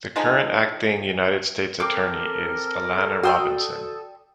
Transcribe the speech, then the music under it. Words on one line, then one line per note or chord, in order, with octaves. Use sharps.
The current Acting United States Attorney is Alana Robinson.
D3 F3 G#3 D#4
C4 A4 A#4 D6
F#4 D5 G5 C6 D#6 E6